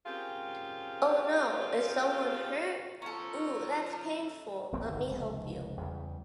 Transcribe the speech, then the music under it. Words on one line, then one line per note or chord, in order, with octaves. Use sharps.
Oh no, is someone hurt? Ooh, that's painful! Let me help you.
C4 C#4 F4 G4 G#4 A#4
F3 C#4 F4 A4 A#5
E1 A#1 A#3 C4
G#1 G2 D3 D#3
F1 C#2
E2 C#3 G3